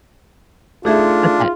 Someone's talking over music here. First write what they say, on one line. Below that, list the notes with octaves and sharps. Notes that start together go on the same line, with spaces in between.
What's that?
A3 D4 D#4 F4 G#4 E5